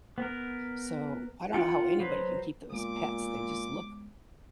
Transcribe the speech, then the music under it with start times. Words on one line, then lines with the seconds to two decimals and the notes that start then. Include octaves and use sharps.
So, I don't know how anybody can keep them as pets. They just look,
0.18 B3 A#4
1.54 F4 F#5 G5
2.00 F#3 B4 C5
2.72 A#2 G#3 B3 D6